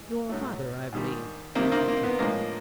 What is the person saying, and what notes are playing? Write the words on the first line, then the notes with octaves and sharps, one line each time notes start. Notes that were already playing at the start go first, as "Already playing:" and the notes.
"Your father, I believe?" said Tifto.
Already playing: E3 G#3
A2 F#3 A3
G#2 D#3 G3
C3 D#3 G3 A#3 C4
A#3 C4
A#3
B3
A2 F3 G#3 A#3